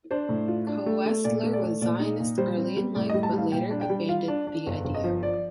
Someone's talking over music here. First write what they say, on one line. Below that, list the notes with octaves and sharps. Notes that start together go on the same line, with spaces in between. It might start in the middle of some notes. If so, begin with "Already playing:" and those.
Koestler was Zionist early in life, but later abandoned the idea.
D4 C5
A2
F4
D4
A3
A3
A#2 D5
A3
D5
A3
A#2 D5
D#4
A#2
G3 C5
C4
G3
A2 D5
D#5
G3
A5
G3
F5
A#2 G5
D4
G5
G3
F4 F5
D4
D4
G1
G1
D#5
F3
F3 D5